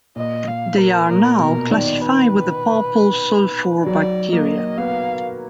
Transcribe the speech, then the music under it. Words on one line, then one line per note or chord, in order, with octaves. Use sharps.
They are now classified with the purple sulfur bacteria.
A#2 D#5
F5
A#4
A#2 A#4
B2 A#4
D#3 D5
B4
F#3 D5
A#3 D#5
B3 F5